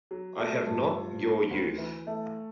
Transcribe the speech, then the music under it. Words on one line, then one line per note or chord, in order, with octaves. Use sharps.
I have not your youth.
F#3
A3
G2
F3
A#3
D2
E3
A3